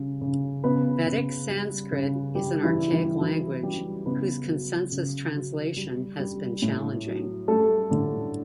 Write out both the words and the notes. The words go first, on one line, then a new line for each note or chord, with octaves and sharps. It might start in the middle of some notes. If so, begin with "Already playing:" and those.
Vedic Sanskrit is an archaic language, whose consensus translation has been challenging.
Already playing: C#3 G3
C#3
C#3 B3 B4
C#3
G3
C#3
G3 G4
E3 E4
G3
E3 E4
E3 F#3 E4
F#3 G3 G4
C#3 B3 B4
F#3
C#3
F#3
G3
G3
A2
F#3
G3 A3 A4
A2 D3 D4